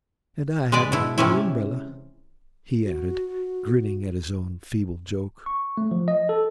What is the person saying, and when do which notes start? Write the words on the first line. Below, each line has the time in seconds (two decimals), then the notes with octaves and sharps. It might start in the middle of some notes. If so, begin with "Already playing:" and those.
"And I haven't any umbrella," he added, grinning at his own feeble joke.
0.72 G#3 B4 D5
0.92 B2 E4
1.18 C3 E3 C#4 E4
2.84 F#4
5.46 C#6
5.77 A3
5.91 F3
6.08 D#5
6.29 A4